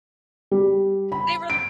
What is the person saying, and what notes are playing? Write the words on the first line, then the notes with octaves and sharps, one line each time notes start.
They were l
G3
B5
D7